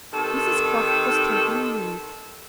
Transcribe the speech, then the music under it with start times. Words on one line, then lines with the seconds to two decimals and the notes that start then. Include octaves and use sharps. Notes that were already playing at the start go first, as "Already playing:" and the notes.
Mrs Croft was taking leave.
0.11 C3 D#3 A4